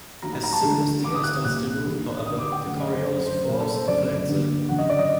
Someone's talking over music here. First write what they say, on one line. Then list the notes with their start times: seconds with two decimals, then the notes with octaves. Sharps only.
As soon as the air starts to move, however, the Coriolis "force" deflects it.
0.22 D#2 D#3 F#3 A3 A#5
0.33 A#5
0.43 A#5
0.53 A5
0.63 D2 D3 A3
1.03 D#2 D3 A3 D6
1.14 D#6
1.24 F#6
1.34 D#6
1.44 C2 A#2 G3 A#3 F#6
1.85 G2 D#3 G3 A#3
2.26 D#2 D3 A3 D#6
2.38 D6
2.52 G5
2.66 F#2 D3 F#3 A3 F#5
2.80 D#5
2.93 C5
3.06 F#2 D3 F#3 A3 C5
3.27 C5
3.47 C2 A#2 A3 A#4
3.60 A4
3.75 C5
3.88 F#1 F#2 D3 A3 D5
4.29 D2 D3 G3 A#3
4.69 F#1 F#2 D3 F#5
4.79 D#5
4.90 D5
4.99 D#5